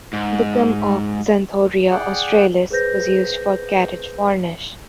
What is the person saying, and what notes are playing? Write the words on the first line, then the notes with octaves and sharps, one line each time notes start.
The gum of "Xanthorrhoea australis" was used for carriage varnish.
G#2
G#4 D5 F#5 G5
G#4 B4 C5 G6 A#6